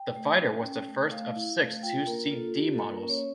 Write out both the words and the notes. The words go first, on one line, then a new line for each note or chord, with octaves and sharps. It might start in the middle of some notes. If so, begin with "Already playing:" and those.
The fighter was the first of six two-seat D-models.
Already playing: G5
A3
C#4
C#4
A3
A3 F5
E4
A3
F4 G5
A#3 A#4
F4 A4
F4 G4
A4
A#3
A#4
C#4
C#5